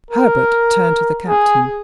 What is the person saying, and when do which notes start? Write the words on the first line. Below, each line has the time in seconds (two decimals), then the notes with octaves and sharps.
Herbert turned to the Captain.
0.11 A#4
1.29 G#4